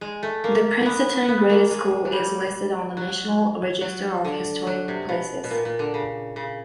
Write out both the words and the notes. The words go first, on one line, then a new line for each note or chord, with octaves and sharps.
The Princeton Graded School is listed on the National Register of Historic Places.
G#3
A3
A#3
B3
B3
A#3
G#3
F#3
G3
F#3
F#3
D3
F#3
C3
B2
B2
A#2
A#2
D3
C#3
C#3